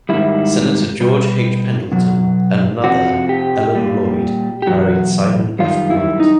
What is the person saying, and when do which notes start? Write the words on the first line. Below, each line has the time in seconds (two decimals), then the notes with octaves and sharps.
Senator George H. Pendleton and another, Ellen Lloyd, married Simon F. Blunt.
0.09 G#2 D#3 G3 E4
1.01 B2 G3
1.92 B2 F#3
2.84 F2 C3 F3 F#4
3.29 G4
3.75 A#2 G3
4.62 G4
4.67 E2 B2 F#3 F#4
5.59 F#2 D#3 G3 F4
5.90 E4
6.20 D#4